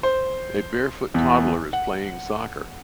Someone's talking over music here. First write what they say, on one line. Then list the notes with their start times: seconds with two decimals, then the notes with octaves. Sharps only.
A barefoot toddler is playing soccer.
0.03 C5
1.14 E2
1.73 F#5